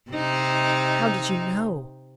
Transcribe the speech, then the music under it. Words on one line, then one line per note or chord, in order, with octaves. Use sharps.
"How did you know?"
C3 D#4